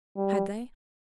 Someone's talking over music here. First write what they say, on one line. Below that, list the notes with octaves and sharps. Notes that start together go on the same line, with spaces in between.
Had they?
G3